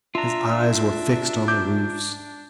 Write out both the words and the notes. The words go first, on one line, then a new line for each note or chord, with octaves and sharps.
His eyes were fixed on the roofs.
D4 F4 E5 A#5
D6 G6